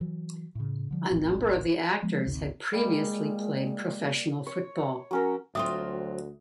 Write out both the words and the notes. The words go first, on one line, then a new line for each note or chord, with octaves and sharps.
A number of the actors had previously played professional football.
E3 F#3
A2 C#3
D3 F3 G3
F1 A#1 A2 C4
F3 G#3 B3
G#1 D2 C3 D#3
A#2 G3 G#3
C#5
F#3 C#4 A#4
D2 F#3 C4 F4 E5 D#6